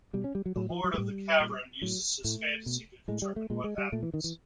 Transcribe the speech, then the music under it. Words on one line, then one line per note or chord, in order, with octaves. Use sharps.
The Lord of the cavern uses his fantasy to determine what happens.
B2 G3
C#4
G3
F#3
A2 F#3
F3
F#3
G#3
A2 G3
A#2
A2 F#3
A2 A3
B2
A2 G#3
G3
A3
A#2 G#3
G#3
G3
A#2 A3
E3
D#3
E3